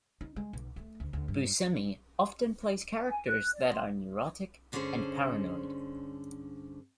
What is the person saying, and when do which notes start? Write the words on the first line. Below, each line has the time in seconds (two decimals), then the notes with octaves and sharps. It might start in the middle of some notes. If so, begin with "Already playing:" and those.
Buscemi often plays characters that are neurotic and paranoid.
0.21 D#4
0.36 G#3
0.53 B1
0.76 A3
1.00 D2
1.13 D2
1.28 G2
3.08 G#5
3.28 F#6
3.54 D5
3.72 C6
4.72 G2 D3 C#4 F#4 G#4 C5